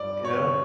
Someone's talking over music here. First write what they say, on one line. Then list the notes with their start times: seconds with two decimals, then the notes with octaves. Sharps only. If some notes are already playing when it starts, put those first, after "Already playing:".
You know?
Already playing: G2 D5
0.25 C#5